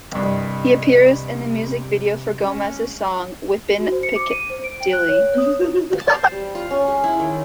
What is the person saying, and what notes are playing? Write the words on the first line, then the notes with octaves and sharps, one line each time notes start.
He appears in the music video for Gomez's song "Whippin' Picadilly".
C2 G2 C3 D#5
G#3 C#4
F#4
C5
C#7
D6
D#7
C5
D7
G5
F#6
C#5
C#5
D#6
A5
C5
G3
F4
C#4
G#3
E4
D#3